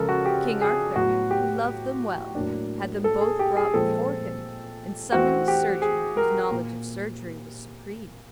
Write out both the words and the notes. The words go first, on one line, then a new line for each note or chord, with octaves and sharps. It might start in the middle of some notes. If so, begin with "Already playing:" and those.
King Arthur, who loved them well, had them both brought before him, and summoned a surgeon whose knowledge of surgery was supreme.
Already playing: C#3 F3 G#3 A4 A#4
F#4
G4
G#4
A2 F#3 B3 F#4
G4
A2 F#3 A#3 D4
A4
G#4
G4
G#4
A#2 F3 G#3 C4 A4
E3 A3 C4 F#4
G4
G#4
A#4
A#2